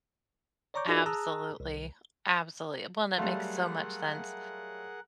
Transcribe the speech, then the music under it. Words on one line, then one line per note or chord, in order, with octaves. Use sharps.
absolutely, absolutely well, and that makes so much sense.
C#5 D5 A#5 C#6 D6 G6
D#4 F4 F#4 G#4 A#4 D5
G#4 A5 A#5 D#6 E6 F#6
C2
F#3 G3 A3 G#4 A#4 F5 F#5 C6